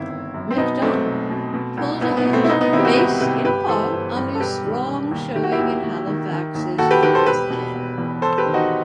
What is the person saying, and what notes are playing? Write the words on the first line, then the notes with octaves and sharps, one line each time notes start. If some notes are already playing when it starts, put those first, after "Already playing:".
McDonough pulled ahead based in part on a strong showing in Halifax's North End.
Already playing: G1 D#3 C4 E4
G1
F#2
C4
B2 B3 D#4
B1 A3 C4
B1
B2
B2
C2
C2 B3
B3
B2
A3 C4
E4
C2 B3 D#4
B3 D#4
D#3 C4 E4
G4
D#4 F#4
C2 G4 B4
C3 G4 B4
G1 G4 B4
E3 A4 C5
G1
G2
A4
E1 G4 B4
D#3
E1
D#2
D#3 G4
F#4
E4 G4
D#2
D#2
D#3
D#3
D#2
D#2 F#4 A4
G4 B4
D#3 G4 B4
A4 C5
E1 G4 B4
B2
E1
E2
E1 A4 C5
G4 B4
D#3
D#4 F#4